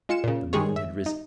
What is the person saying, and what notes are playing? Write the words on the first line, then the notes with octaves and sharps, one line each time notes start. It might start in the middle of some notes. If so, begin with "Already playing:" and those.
The moon had risen.
G#3 F4 C#7 E7
A#2 C#3
D#3 G3 G#3 G#4 C#5
E5
D#4